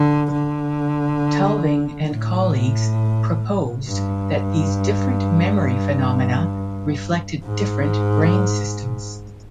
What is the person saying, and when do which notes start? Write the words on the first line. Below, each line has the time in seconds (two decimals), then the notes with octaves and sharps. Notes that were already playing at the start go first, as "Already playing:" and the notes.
Tulving and colleagues proposed that these different memory phenomena reflected different brain systems.
Already playing: D3
0.32 D3
2.10 A2
3.89 G2
7.45 G#2